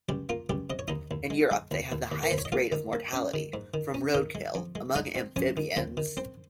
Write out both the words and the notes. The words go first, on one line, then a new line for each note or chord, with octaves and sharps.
In Europe they have the highest rate of mortality from roadkill among amphibians.
C#2 G3 G4
A#3 F4
C#2 G3 G4
C3 D#5
C#5
D#2 D#4 D#5
D#2
G#3
G#3
D#2
D#2
D#2
A#4
D#2 C5
C#5
D#5
A#3 F4 F5
D#3
A#3
C#4
D#3
G#2
D#3
C#4
D#3 D#4 D#5
G#3
F2
G#3
G#3 D#4 D#5
C4
F2 C#4 C#5
D#3
D#2 C4 C5
D#3
C4 C5